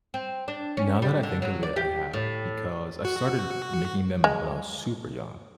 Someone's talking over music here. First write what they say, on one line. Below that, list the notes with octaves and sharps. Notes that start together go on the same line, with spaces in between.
Now that I think of it, I have, because I started making them when I was super young,
C4
D4
C#4
G3
D3
F#3
D5
G4
A2
F#4
G#3